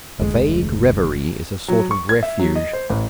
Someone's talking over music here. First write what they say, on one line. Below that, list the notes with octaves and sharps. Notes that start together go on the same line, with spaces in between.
A vague reverie is a sort of refuge.
F1 D2 G#3
F#3
C#6
G#6
E5
F#3
D#5
C5
A1